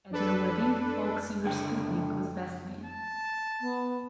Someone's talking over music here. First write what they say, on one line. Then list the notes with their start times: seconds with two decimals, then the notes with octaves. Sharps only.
At their wedding, folk singer Sputnik was best man.
0.12 D4 A4 B4
1.44 C#2 D3 G5
2.86 A5
3.61 B3